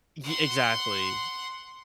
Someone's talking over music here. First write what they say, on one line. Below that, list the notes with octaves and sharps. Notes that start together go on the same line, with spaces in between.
ye exactly.
F#5 C6